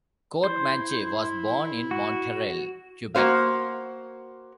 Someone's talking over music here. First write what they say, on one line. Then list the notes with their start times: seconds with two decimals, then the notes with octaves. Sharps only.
Courtemanche was born in Montreal, Quebec.
0.44 E4 C5
1.91 F#4
3.15 A#3 F#4 C5 F5